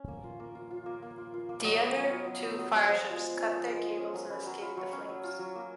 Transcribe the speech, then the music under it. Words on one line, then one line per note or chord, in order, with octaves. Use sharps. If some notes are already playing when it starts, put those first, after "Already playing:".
The other two fireships cut their cables and escaped the flames.
Already playing: C#4
A#3
F4
A#3
F4
F4
A#3
A#3
F4
F4
A#3
F#3 D#5
B3
F#3
F4
F#3
B3
F#3
F4
F3 G#4
G#3
F4
C#4
F3
G#3
F4
C#4
F#3 A#4
C#4 B4
F#3 A#5
F4 B5
F#3 C#6
C#4
F#3
F4
F#3
A#3